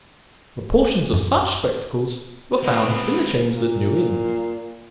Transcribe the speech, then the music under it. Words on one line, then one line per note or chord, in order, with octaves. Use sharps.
But portions of such spectacles were found in the chambers at New Inn.
F#2
G#3 B3 C4
A#2